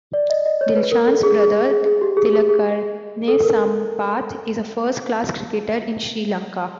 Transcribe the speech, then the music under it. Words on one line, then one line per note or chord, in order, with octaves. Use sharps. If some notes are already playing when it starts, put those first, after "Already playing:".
Dilshan's brother, Tillakaratne Sampath, is a first-class cricketer in Sri Lanka.
D5
D#5
D#5
C#5
B4
A#4
A4
G#4
G#4
G#4
G#4
G4
G#4
G#4
G#4
A4
A#4